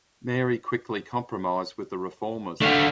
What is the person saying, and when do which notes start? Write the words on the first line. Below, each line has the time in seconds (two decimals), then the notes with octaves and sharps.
Mary quickly compromised with the reformers.
2.62 A3 D4 F#4 F5